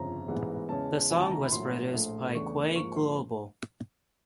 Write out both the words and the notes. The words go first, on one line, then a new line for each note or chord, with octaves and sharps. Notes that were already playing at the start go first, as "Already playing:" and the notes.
The song was produced by Quay Global.
Already playing: G1 F2 C#3 F3 A#5
A1 G#2 E3 G#3 B3
E2 C#3 E3 G#3 C#4 A5
D2 C3 D#3 G#5
A5
A#5
B5
A#1 A2 F#3 A#3 C6
A#1 A2 F3 A3
E2 C#3 E3 A3 D4 C#6
G#2 F3 A#3 C#6
C6